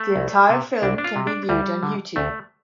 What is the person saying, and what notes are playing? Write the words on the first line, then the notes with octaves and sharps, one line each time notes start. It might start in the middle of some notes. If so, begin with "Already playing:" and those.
The entire film can be viewed on YouTube.
Already playing: A3
C2
C3
C2 D4
D4
F4
C3
D4
D2 G3
D3
D2 A3